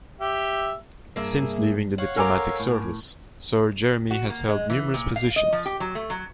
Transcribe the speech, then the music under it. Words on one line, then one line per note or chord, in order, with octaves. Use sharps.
Since leaving the diplomatic service, Sir Jeremy has held numerous positions.
G4 E5
G2 A#3 G#4 E5
C#5 F5 F#5
A4 A#4 G#5 A#5 D6
A2
F#4
A#3
G#3
E3
A#2
F5
D#5
F3
G4
F#3
A3
F#3